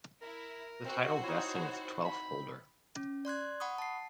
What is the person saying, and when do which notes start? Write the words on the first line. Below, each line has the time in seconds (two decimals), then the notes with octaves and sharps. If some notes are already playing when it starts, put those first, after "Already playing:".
The title vests in its twelfth holder.
0.22 E4 A#4
0.85 C4 F#4 C5
1.24 D#4 E4 C#5
2.05 B5
2.96 C#4
3.25 D5 C6 F#6 G#6
3.60 F#5 B5 C#6 D#6
3.78 A5 C7